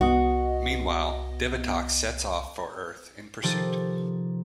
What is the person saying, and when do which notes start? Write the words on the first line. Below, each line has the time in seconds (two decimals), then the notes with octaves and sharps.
Meanwhile, Divatox sets off for Earth in pursuit.
0.01 C2 B3 F#4 D#5
3.42 C3 D#3 F3 D#4 G4 A4